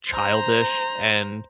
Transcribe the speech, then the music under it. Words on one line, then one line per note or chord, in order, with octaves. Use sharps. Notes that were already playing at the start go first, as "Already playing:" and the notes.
childish, and
C5 A#5